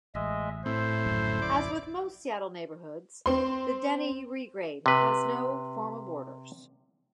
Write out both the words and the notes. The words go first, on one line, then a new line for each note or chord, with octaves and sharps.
As with most Seattle neighborhoods, the Denny Regrade has no formal borders.
A1 G#3 D#5 E5
A2 C4 E4 C5
D1 A#1 F#2
D5
C4 C6
C3 B4